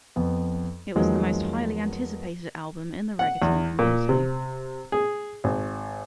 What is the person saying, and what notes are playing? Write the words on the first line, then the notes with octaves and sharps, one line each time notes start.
It was the most highly anticipated album in the reggaeton community.
F2 B3
E2 D#3 F3 F#3 G#3 A#3
F#5
E2
A#2
C3
G#4
G#1